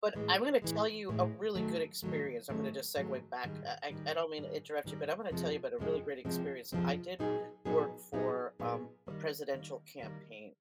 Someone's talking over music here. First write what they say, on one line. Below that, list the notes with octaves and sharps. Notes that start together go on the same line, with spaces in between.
But I'm gonna tell you a really good experience. I'm gonna just segue back. I don't mean to interrupt you, but I'm gonna tell you about a really great experience. I did work for, um, a presidential campaign
A2 E3 G#3
A2 E3 G#3
A2 E3 G#3
G#2 D#3 F#3 A3
G#2 D#3 F#3 A3
G#2 D#3 F#3 A3
G#2 D#3 F#3 A3
G#2 D#3 G3
G#2 D#3 G3
G#2 D#3 G3
G#2 D#3 G3
F2 C3 F3 G#3 C4
F2 C3 F3 G#3 C4
F2 C3 F3 G#3 C4
F2 C3 F3 G#3 C4
A#2 F#3 B3 D#4 G#4
A#2 F#3 B3 D#4 G#4
A#2 F#3 B3 D#4 G#4
A#2 F#3 B3 D#4 G#4
D#3 G3 A#3
D#3 G3 A#3
D#3 G3 A#3